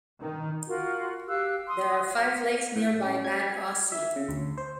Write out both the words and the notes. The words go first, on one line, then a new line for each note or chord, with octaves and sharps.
There are five lakes nearby Bad Aussee.
D#3
F4 F#4 A#4
G4 F5 E6 F#6
C6 D#6
A2
C#4
G#6
E5
C#3
D2
C5